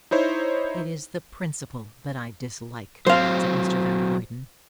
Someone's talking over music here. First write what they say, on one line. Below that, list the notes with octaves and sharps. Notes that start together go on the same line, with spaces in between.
"It is the principle that I dislike," said Mr. van der Luyden.
D#4 E4 C5 C#5
F#3 C4 C5 F5